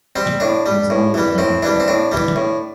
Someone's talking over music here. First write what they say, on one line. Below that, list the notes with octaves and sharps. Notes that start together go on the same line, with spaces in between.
It was only eleven o’clock.
G3 C4
A2 D4
G3
A2
E3 G3
A2 C4
E3 G3 D4
C4
A2 D4
E3 G3
A2